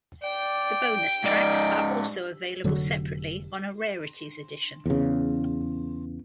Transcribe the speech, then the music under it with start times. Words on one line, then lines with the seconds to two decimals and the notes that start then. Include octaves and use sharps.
The bonus tracks are also available separately on a "Rarities Edition".
0.24 D5 G5
1.24 G#2 D#4 D5
2.64 F1 D3 F#3
4.86 E2 C#3